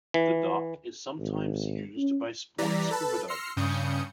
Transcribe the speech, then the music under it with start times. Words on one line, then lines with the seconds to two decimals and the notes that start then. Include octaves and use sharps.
The dock is sometimes used by sport scuba divers.
0.14 E3
1.19 G#1
1.97 C#4
2.58 E3 G3 D5 A#5 B6
2.90 A4 B4 A5
3.28 C6 E6 F6 A#6 C7 C#7
3.56 G2 C#3 D#6 G6 C#7